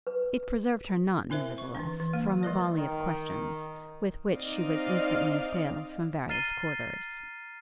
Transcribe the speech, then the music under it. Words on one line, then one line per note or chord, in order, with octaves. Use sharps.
It preserved her not, nevertheless, from a volley of questions, with which she was instantly assailed from various quarters.
B4
C4 E4 A#4 C5 E5
C#6
E3 D4
E3
A#3
E3 G3 A#4 D5
D#3
C4 D#4 D5 D#5 F5
A#5 F6 A6 C7 D#7 G7